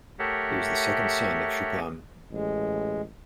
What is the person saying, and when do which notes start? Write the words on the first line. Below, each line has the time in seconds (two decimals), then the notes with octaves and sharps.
He was the second son of Chupan.
0.19 A3 G4 A#4 C#5 E5 F#5
2.31 A1 G#3